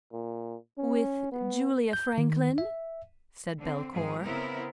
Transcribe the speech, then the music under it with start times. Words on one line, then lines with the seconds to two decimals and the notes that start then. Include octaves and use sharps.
"With Julia Franklin," said Belcour.
0.13 A#2
0.78 C#4
1.32 B3
1.93 G6
2.18 D#3
2.58 E5
3.60 D3 C4
3.94 G#2 F3 G#3 G#4
4.24 C#3 B3 C4 E4 A#4